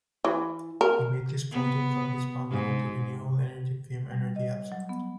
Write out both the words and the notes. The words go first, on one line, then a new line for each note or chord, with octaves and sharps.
He made his fortune from his founding of the renewable energy firm Energy Absolute.
E3
A#4
B3
G#2
G3
D#5
F#3
B3